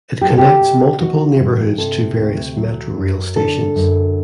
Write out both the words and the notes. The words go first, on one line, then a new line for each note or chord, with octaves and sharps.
It connects multiple neighborhoods to various Metrorail stations.
F#3 G4
A4
G4
B2
E3 F#4
G2
C3 A4
D2
F#3
F#2
D3 A4
F#2